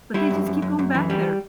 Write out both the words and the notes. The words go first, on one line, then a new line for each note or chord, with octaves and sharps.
But they just keep going back there.
G3 E4
F#2
F#2
F#2
F#2
E3
G3